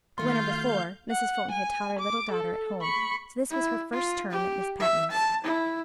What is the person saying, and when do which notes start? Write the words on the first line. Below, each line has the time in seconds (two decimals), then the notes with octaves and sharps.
The winter before, Mrs. Fulton had taught her little daughter at home; so this was her first term at Miss Patten's.
0.18 D#3 A3 F4 F#4 F5 C6 G6
1.10 F#5
1.52 G#5
2.00 D6
2.32 A4
2.81 B5 C#6
3.50 E4
3.92 F4
4.31 G4
4.80 E5
5.11 A5
5.44 E4